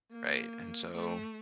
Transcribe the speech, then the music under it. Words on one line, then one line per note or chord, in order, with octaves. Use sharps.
Right, and so,
A#3
A3